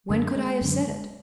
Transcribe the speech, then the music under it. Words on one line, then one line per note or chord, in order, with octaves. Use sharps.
"When could I have said it?"
F#2 D3 A#3
G#3
F#2 D3